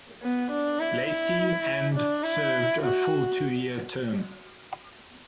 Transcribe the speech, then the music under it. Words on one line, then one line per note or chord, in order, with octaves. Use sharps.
Lacy and served a full two-year term.
B3
D4
E4
E4
D4
E4
F#4